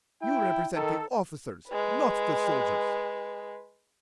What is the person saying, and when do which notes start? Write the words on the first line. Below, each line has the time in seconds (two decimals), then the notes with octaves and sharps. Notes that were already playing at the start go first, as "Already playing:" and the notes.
You represent the officers, not the soldiers!
0.22 E4 G5
0.74 D#3 D#4 A4
1.69 G#3 B4